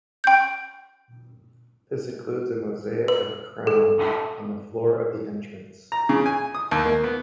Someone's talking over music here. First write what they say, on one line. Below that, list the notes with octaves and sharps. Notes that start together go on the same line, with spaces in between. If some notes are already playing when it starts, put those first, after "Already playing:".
This includes a mosaic of a Crown on the floor of the entrance.
G5 G6
B4
A4
A#5
C#3
G#5
D#6
D#2
A#3
B3